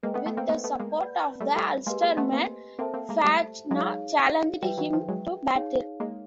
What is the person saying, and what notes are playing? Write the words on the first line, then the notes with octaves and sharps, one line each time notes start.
With the support of the Ulstermen, Fachtna challenged him to battle.
G#3 A#3 B4 D#5 G5
A3 B3
A3 B3
A#3 C4
A3 B3
A3 B3
G#3 A#3
B4 D5 F#5 B5
G3 A3
G3 A3
G#3 A#3 G4 B4 D#5 G#5 C6
G#3 A#3
A3 B3
A#3 C4
A#3 C4 A4 C5 E5 A5
A#3 C4
G#3 A#3
G3 A3
F#3 G#3 D#4 G#4 C#5 F5
F3 G3 B4 E5 G5
E3 F#3
D#3 F3
F#3 G#3
D#4 G#4 C#5 F5
G#3 A#3